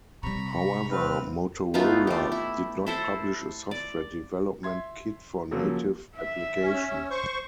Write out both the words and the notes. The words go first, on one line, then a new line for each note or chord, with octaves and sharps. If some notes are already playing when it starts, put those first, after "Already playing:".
However Motorola did not publish a software development kit for native applications.
C3 G3 A#5 B5 C#6
C4 B4 F6
A3 B3 D#4 F4
A3 G4
E4
E4 A4 C5
D5
E5 C6 G#6
C#3 F3 F#3 A#3 F#4 A4
E5
C#4
C5 C#6